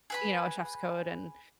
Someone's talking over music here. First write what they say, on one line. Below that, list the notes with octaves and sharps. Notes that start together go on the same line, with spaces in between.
you know, a chef's coat and,
G#4 B4 B5